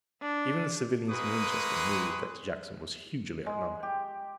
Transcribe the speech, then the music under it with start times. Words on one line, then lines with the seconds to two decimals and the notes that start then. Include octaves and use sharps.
Even the civilians in Winchester knew that Jackson was hugely outnumbered.
0.22 D4
1.09 G#3 A#3 C4 B4 C#6 D#6
3.46 G#3
3.83 G4